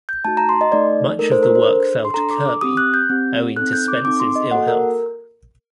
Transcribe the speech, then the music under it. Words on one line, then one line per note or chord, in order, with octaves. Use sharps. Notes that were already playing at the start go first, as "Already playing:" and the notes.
Much of the work fell to Kirby owing to Spence's ill health.
G6
A3 D#4 F#4 A5
A#5
C6
D#5
A3 D#4 A4 D5
A3 D#4 A4 A#4
C5
A#4
C5
D4 A4
C6
D4 A4 A#5
D6
D6
C4 G4 D#6
F#6
G6
C4 G4
C4 D#4 A4 F#6
G6
D6
C4 D#4 A4 D6
C6
D#5
A#3 F#4 A4 F#5
A#4